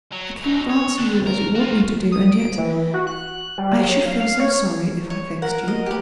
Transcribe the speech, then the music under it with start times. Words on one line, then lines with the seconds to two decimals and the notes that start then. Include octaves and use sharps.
I cannot answer you as you want me to do, and yet I should feel so sorry if I vexed you.'
0.12 F#3
0.44 F#3 D#4
0.70 C#5
0.98 D#3 D4
1.26 A#4
1.55 F4 F#4
2.12 D#6
2.32 D7
2.58 E3
2.93 F#4
3.07 F#6
3.58 G3
3.81 F#3
4.06 F5
4.20 F5
4.40 C#5
5.10 C#5
5.42 A#4 F#5
5.68 D#5
5.86 G4 B4